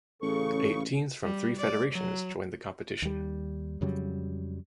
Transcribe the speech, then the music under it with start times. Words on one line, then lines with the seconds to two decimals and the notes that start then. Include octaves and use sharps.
Eight teams from three federations joined the competition.
0.22 A1 C#3 A4 C#6
1.23 G3
1.58 D5
1.93 F#3
3.02 D#2 G3
3.81 F2 C#3 F#3 G3